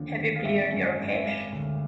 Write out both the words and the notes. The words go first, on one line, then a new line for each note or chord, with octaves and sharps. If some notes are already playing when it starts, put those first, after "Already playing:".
Have you cleared your cache?
Already playing: D#2 D3 F3
D#2
F5
G#1 E5
F#2
G#1
E5
G3 F5
D2